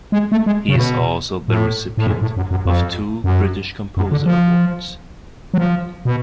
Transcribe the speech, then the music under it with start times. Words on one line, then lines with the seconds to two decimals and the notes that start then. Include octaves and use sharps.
He is also the recipient of two British Composer Awards.
0.12 G#3
0.32 A3
0.46 G#3
0.68 C#3
0.76 B2
1.48 A2
1.97 A2
2.07 G#2
2.22 A2
2.37 F#2
2.51 F#2
2.66 F2
3.24 F#2
3.97 F#2
4.12 D3
4.26 F3
5.54 F#3
5.58 F3
6.05 B2